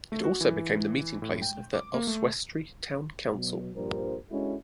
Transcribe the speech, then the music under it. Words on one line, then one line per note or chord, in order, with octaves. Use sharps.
It also became the meeting place of Oswestry Town Council.
A3
F#4
E3
A2
G5
D6
A#3
A3
B2 F#3
A#1 G2 F3 G3 A#4 C5
G#3 C#4 D4 E4 F#4 A4